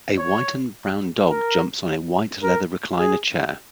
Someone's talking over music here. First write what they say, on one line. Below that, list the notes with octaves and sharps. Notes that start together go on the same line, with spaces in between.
A white and brown dog jumps on a white leather recliner chair.
C#5
A#4
A#4
G#4